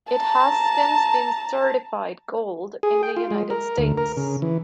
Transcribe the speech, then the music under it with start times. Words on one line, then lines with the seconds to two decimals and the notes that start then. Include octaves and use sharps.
It has since been certified Gold in the United States.
0.12 A5 A#5
2.83 G#4
3.03 G5
3.17 F4
3.31 G#3
3.50 A#4
3.78 D2
3.98 A#4
4.17 C#3
4.42 E3